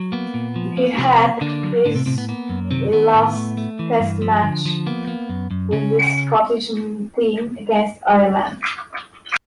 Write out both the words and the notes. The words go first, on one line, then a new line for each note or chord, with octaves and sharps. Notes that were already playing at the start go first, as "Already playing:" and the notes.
He had his last test match with the Scottish team against Ireland.
Already playing: F#3
A#3 B3
A#2
F3
A#3
C3 F3 C4
A#3
D3 A#3 D4
F#3
A2 D3 D4
C3 C4
A2 C3 C4
B3
A#3 B3
F#2
C3 D#3 C4
D#3 B3
A2
A3
A3
E3
G2
F3
D3
F3
A#3 B3
A#3
F#2
F#2
C#3 C#4